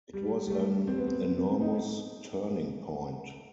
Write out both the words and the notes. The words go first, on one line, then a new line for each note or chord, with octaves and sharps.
It was an enormous turning point.
G3
G3
A3
C4
B3
C4
D#4